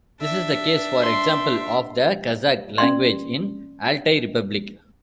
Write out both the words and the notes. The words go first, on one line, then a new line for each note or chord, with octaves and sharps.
This is the case, for example, of the Kazakh language in Altai Republic.
D4 E5
C6
C#4 D5 C6